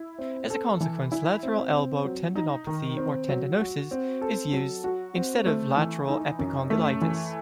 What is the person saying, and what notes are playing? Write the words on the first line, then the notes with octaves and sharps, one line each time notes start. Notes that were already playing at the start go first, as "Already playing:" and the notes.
As a consequence, "lateral elbow tendinopathy or tendinosis" is used instead of "lateral epicondylitis".
Already playing: E4
C4
A4
E3
E4
C4
C4
F#3
D#4
D#3
C4
F#3
F#4
C4
A4
F#3
F#4
C4
A3
E3
D#4
F#2
A3
E3